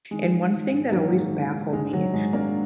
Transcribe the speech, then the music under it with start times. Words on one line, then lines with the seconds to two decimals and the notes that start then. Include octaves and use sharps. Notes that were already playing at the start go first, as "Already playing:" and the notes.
And one thing that always baffled me
0.11 D#3 G#3
0.31 D#3
0.52 D#3
0.72 G#2
0.92 D#3 F#3 A#3
1.12 G#2
1.33 D#3
1.53 D#3
1.73 G#2 G#3
1.93 D#3 F#3
2.13 G#2 G#3
2.33 G#2 A#3 D4